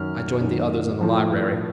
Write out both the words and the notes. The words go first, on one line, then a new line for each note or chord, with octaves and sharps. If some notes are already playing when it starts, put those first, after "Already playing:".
I joined the others in the library.
Already playing: F#2 D#3 F6
F#2 D#3
A2 F3